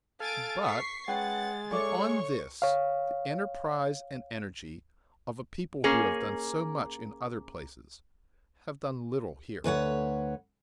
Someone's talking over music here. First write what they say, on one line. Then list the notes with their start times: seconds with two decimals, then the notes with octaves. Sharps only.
But, beyond this, the enterprise and energy of a people who have done so much in other places have done little here.
0.20 A4 F5 G#5 A6 D7
0.63 C#6 B6 C7
1.08 G#3 C#4 B4 F#5 G5 A6
1.72 A4 C#5 D5 E5 C#6
2.62 C#5 F5
5.84 A#3 C#4 G#4
9.64 D2 B4 C#5 F#5